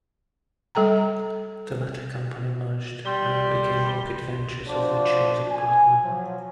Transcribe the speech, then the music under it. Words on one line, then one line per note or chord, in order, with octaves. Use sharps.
The latter company merged and became Rocket Ventures, of which he was a partner.
G3 A4 G5 A#5
G3 C6
F3 D4 F#4 C5 D5
G#5
F3 F#3